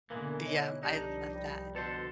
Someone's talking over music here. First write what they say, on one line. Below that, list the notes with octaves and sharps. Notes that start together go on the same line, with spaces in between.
Yeah, I love that.
B2 D3 E3 G#3 A#3
D#4 C#5
C2 F3 D4 D#4 G4
G3
B2 D3 F#4 A4 C5